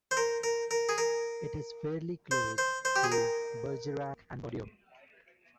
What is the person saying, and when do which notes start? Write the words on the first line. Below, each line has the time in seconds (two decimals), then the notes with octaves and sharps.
It is fairly close to Bergerac and Bordeaux.
0.11 C5
0.17 A#4
0.44 A#4
0.71 A#4
0.89 G#4
0.98 A#4
2.31 C5
2.58 C5
2.85 C5
2.96 G4
3.04 G#4
3.12 A#4